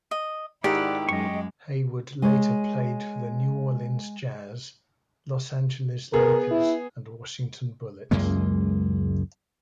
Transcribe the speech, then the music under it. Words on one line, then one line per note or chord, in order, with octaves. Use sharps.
Haywood later played for the New Orleans Jazz, Los Angeles Lakers, and Washington Bullets.
D#5
G#2 D#3 E4 G4 D5 F#5
F#2 G#3 D#5 C#6
G#3 C#5
B3 G#4 A#4
E4
C#2 F#2 G#3 A#3